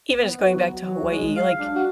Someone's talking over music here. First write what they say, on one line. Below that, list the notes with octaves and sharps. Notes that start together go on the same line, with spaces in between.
even just going back to Hawaii, like,
B3
F#4
F#3
F#3
G#3
F5
D4
F#4